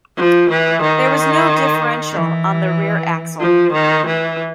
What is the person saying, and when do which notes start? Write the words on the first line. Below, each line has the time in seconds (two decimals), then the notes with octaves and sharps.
There was no differential on the rear axle.
0.17 F3
0.49 E3
0.82 D#3
2.12 E3
3.40 F3
3.73 D#3
4.05 E3